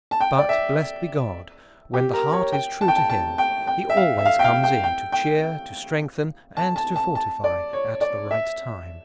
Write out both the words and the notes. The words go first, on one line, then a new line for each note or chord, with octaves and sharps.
But, blessed be God, when the heart is true to him, he always comes in to cheer, to strengthen, and to fortify, at the right time.
A5
G5
D5
E5
G4
A#4
C#5
G5
A5
G5
A5
A5
G5
G5
E5
F5
E5
F5
G5
F5
G5
G5
G5
A5
A5
A5
A5
D5
C#5
D5
E5